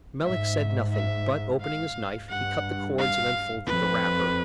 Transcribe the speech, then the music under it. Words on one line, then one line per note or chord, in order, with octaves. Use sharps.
Melick said nothing, but, opening his knife, he cut the cords and unfolded the wrapper.
G#2 E5
E5
F5
G2 F#5
F5
F2 B4